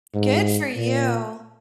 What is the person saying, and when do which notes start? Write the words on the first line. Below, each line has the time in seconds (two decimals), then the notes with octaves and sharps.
Good for you.
0.14 G#2
0.75 A#2